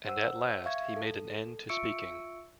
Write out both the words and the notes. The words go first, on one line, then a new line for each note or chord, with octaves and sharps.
And at last he made an end to speaking.
C5 F#5 E6
E5 F5 C#6 G#6
A4
F4 E5 C#6 E6 C#7 D7